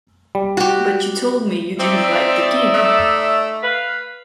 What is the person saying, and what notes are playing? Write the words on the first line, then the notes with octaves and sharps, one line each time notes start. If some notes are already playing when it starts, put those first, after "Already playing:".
But you told me you didn't like the game.
G3
F#4 G4
C4 D#4 D5 E5
A3
B4 F5